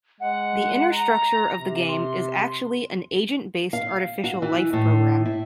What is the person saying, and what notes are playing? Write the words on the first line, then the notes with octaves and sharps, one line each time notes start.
The inner structure of the game is actually an agent-based artificial life program.
G#3 F#5
A#5
C3
C6
F5
F#4
E3
A2
E4